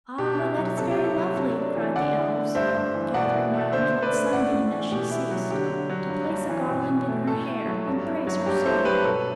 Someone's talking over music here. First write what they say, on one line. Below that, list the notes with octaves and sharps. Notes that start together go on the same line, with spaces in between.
"Ah, that is very lovely," cried the Elves, gathering round little Sunbeam as she ceased, to place a garland in her hair and praise her song.
B2 G4
E4
F#3
C3 A4
G4
E4
A4
F#3
C3 A4
D4
E3
D3 D5 F#5
E4
A3
G2 C5 E5
G2
E3
B2 D5 F#5
E4
A3
D3 C5 E5
D3
B4 D5
A3
A2 D5 F#5
A2
E3
B2 G4
E4
F#3
D3 G4
D3
F#3
G2
G2
E3
B2
B2
A3
A2 A4
E4
F#3
G2
E4
F#3
G2 G4
E4 A4 C5
F#3 G4 B4
B2 A4